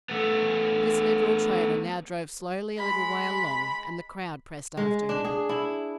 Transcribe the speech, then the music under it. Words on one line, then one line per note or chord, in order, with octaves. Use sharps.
This liberal trader now drove slowly a little way along, and the crowd pressed after him.
A3 B3
G#3 B5
G#3
D4
G#4
E4